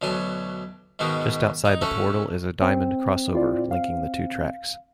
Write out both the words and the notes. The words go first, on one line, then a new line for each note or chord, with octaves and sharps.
Just outside the portal is a diamond crossover linking the two tracks.
D2 B2 F#3 G#5 A5
G#2 B2 D#3 B3 F#4
D#4
A3 C#4 F#4 A4 C#5
C4
E4 F4 D5
F5